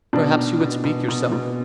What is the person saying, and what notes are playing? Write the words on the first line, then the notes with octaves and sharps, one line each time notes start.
'Perhaps you would speak yourself?'
B2 D4
B2
B2
B2
B2
B2